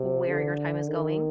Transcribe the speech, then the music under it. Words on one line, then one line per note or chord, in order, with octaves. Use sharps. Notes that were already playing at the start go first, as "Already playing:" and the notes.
where your time is going
Already playing: C3
D3
D#3